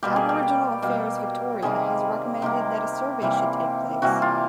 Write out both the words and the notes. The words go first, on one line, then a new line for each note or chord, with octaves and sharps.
Aboriginal Affairs Victoria has recommended that a survey should take place.
B2 G3 A#3 G4
G#4
G4
B2 G3 A#3
C3 D#3 G3 A#3 G#4
C3 D#3 G3 A#3 G4
C3 E3 G3 A#3
C3 E3 G3 A#3 F#4
F4